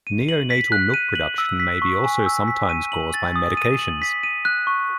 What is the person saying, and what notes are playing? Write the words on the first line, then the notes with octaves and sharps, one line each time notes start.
Neonatal milk production may be also sometimes caused by medications.
D#7
F#7
B6
F#6
D#7
F#7
E6
B6
C#6
G#5
E6
B6
D#7
F#7
A6
D#6
D#7
F#7
B6
D#7
F#6
C#6